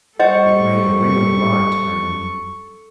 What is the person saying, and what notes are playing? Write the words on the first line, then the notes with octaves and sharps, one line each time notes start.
It made a ring of light round them.
G3 A4 C5 D#5 F#5 C#6